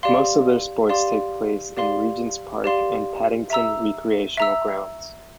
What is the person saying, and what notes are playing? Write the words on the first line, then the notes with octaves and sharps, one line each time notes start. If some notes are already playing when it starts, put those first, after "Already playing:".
Most of their sports take place in Regent's Park and Paddington Recreational Grounds.
G4 D5 F5 C6
G4 D5 F5 C6
G4 D5 F5 C6
G4 D5 F5 C6
E5 A#5 E6
E5 A#5 E6